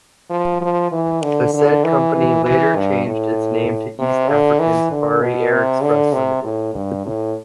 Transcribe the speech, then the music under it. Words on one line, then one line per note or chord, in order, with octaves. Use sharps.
The said company later changed its name to East African Safari Air Express Limited.
F3
F3
E3
D3
D3
E3
E3
E3
G2
A2
C3
D3
E3
D3
B2
C3
D3
C3
A2
G2
A2